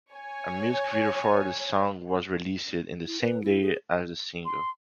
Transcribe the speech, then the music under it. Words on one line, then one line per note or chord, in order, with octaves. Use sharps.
A music video for the song was released the same day as the single.
C#5 G#5
E4
B4
E4
G#4
C6